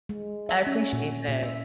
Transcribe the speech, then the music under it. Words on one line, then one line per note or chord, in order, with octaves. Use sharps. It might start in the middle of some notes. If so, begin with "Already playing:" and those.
I appreciate that.
G#3
E5
C#4
A#2
A#2
E5